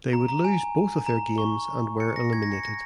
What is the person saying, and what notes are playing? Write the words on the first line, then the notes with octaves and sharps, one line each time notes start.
They would lose both of their games and were eliminated.
A#5
A#5
G#5
A#5
C#6
C#7
A#6
G#6
A#6
C#7
A#6